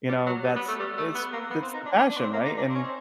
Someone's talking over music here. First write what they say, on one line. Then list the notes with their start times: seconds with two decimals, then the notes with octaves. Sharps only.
You know, that's it's that's the passion, right? And,
0.09 G3
0.26 F#3
0.44 G3
0.56 B3
0.68 A3
0.80 G3
0.97 A3
1.15 B3
1.33 A#3
1.51 B3
1.63 C4
1.74 D#4
1.86 D4
1.98 D4
2.10 D4
2.17 B3
2.21 C4
2.33 A#3
2.45 D#4
2.57 D4
2.69 C4
2.75 C#4
2.84 C4